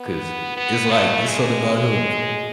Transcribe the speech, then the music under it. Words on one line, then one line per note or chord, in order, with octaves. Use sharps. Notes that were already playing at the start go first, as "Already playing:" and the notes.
'cause it's, like, it's something about him p
Already playing: B3
B3
A3
G#3